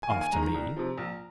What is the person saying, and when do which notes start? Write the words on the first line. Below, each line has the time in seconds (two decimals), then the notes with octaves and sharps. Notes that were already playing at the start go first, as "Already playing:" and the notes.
"After me?"
0.03 G#5
0.10 D#2 F5
0.21 G#5
0.32 D#3 G#3 A#5
0.43 A#5
0.54 C2
0.76 C3 F3
0.98 A#1